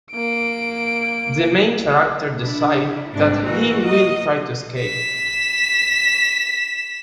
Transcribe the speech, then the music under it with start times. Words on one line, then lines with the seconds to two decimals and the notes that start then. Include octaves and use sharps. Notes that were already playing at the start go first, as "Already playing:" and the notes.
The main character decides that he will try to escape.
0.11 A#3 D7
2.41 D4 E4
3.14 G#2 C3 G3 D4
3.47 E3 A#3 F#4 A#4
3.86 D#5
4.81 B6 E7